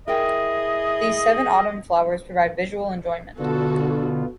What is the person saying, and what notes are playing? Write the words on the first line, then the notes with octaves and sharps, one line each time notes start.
These seven autumn flowers provide visual enjoyment.
E4 G#4 A#4 D#5 E5 G5
B2 D3 B3 F4 F#4 A4